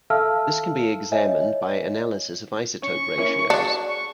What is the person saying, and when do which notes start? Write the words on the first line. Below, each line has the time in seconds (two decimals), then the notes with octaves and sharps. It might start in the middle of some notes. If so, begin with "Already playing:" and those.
This can be examined by analysis of isotope ratios.
0.10 A4 E5 F5 A5 E6 F6
1.12 C#5 D#5 E5 G#5
2.82 C#4 C#6
3.18 A#3 C#4 E4
3.50 D4 F#4 G#4
3.88 C#6